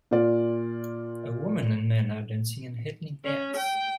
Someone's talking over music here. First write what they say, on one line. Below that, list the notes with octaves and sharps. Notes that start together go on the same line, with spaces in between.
A woman and man are dancing an ethnic dance.
A#2 F4 D5
C#4
G5